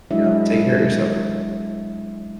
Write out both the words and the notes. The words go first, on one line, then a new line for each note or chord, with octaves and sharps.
You know, take care of yourself.
F#3 G#3 D4 E4 D#5 E5